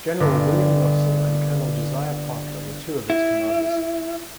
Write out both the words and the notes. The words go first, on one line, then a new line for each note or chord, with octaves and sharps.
General William Russell and Colonel Josiah Parker were two of its commanders.
G1 D3 A#3
E4